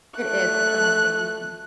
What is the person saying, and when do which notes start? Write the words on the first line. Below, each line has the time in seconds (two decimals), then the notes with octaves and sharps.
It is, it's amazing.
0.18 A3 F#6